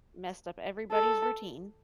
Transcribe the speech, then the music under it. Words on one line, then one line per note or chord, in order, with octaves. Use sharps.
messed up everybody's routine.
A4